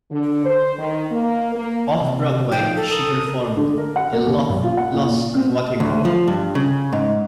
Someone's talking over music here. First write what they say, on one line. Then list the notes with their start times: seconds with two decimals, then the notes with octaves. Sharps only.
Off-Broadway, she performed in "Love, Loss, and What I Wore".
0.11 D3
0.45 C5
0.78 D#3
1.11 A#3
1.55 A#3
2.01 C3
2.52 F3 D#4 G5
2.77 A4
2.91 A#4 D#6
3.57 D3
3.78 A#4
3.96 F#5
4.13 A#3
4.26 D#2
4.49 B1
4.63 F4
4.77 F#5
4.93 A#2
5.06 A#2
5.35 C4
5.80 D2
6.05 F3
6.28 G2
6.55 C#3
6.93 G#2